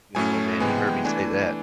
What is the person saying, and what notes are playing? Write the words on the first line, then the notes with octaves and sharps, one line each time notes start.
Y oh man, he heard me say that.
A2 F#3 A3 C#4 G#5
C3 E3 G#3 B3 G#5
G5
F#5
G5
E3 A3 D4 G#5